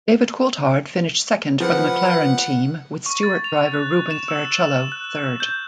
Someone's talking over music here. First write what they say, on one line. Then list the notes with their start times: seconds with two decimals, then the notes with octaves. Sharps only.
David Coulthard finished second for the McLaren team with Stewart driver Rubens Barrichello third.
1.60 F3 B4 F#5
3.06 C#6
3.23 A6
3.44 F7
3.74 F#6
4.11 E7
4.28 E6
4.52 E7
4.92 F#6
5.40 G6